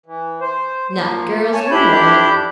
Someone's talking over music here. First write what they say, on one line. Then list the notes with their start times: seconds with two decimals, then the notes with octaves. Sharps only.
"Not girls we know."
0.06 E3
0.41 C5
0.95 F3 A#3
1.53 C#5 G#5 A5
1.71 F2 D4 E4 G4 B5 G6